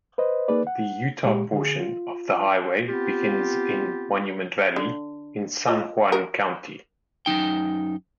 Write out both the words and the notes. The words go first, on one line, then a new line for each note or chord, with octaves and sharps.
The Utah portion of the highway begins in Monument Valley, in San Juan County.
B4 C5 D#5
A#3 D#4 G#4 B4 D5
F#5
A#2 G#3 G4
D3 G#4
F4
B3 C4 F4 G4
D3
F4 D#5
A#4
F#2 F3 D#4 G5